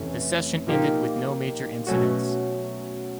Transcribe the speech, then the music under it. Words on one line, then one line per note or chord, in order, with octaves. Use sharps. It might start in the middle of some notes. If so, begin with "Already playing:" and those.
The session ended with no major incidents.
Already playing: F2 C3 E3 A3 C#4
A#2 F3 A#3 D#4 G4
B2 F#3 A3 C#4 F#4